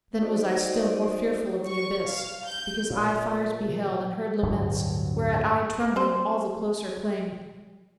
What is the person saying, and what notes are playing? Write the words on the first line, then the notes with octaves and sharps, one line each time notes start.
Then was I still more fearful of the abyss; Because I fires beheld, and heard laments, Whereat I, trembling, all the closer cling.
D#4 F#4 C5 D5 D#5
C#6
F5
G6
A#2
D1 G2 D3 F#3
C4 C5